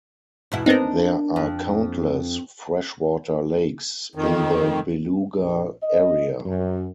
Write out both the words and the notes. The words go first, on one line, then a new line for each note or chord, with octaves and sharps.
There are countless freshwater lakes in the Beluga area.
E2 B2 E4
B3 C4 D4 D#4 A#4
F2
F2 D#3
A#1
D#5
F#2